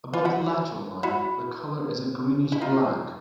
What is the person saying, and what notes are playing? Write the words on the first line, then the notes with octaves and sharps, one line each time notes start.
Above the lateral line, the color is a greenish black.
F4
E4 F#4
E4 F#4
E4
D#4 F4